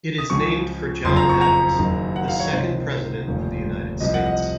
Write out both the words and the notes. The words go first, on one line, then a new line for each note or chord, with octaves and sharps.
It is named for John Adams, the second President of the United States.
D#6
C#2 C#3 F3 C#6
F#1 F2 C#3 F3 C6
A#5
C#6
A#5
F#1 F#2 D#3
F#5
F5
C#5
C#2 C3 D#3 C5
F1 D#2 C#3 F3
C2 C3 F3 D#5
F#5
D#5